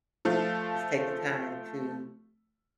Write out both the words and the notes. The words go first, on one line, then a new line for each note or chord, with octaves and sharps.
just taking time to,
F3 A3 F4